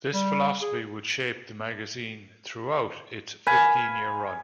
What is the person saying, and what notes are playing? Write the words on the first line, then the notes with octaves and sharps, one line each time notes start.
This philosophy would shape the magazine throughout its fifteen-year run.
G3
G#4
F5 G#5 B5